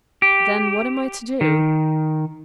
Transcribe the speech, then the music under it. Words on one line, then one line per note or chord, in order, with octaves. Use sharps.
"Then what am I to do?"
G4
D#3